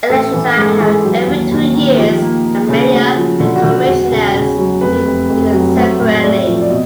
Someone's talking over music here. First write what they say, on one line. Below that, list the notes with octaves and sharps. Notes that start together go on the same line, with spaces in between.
Elections are held every two years with the Mayor and Commissioners being elected separately.
A1 A4
E3
G#2 G#4
A4
E3 G#4
F#3 G4
D#2
D#2
D#3
F3 G4
A#3
A#3
C#3
A3 F#4
F3
D3
F#4
D3
E1 F#4
C#3
C#3
F#3
F1 B4
F1
F1
F#3
A3 C5
A2
A3 D5
F3
D5
B2 D#5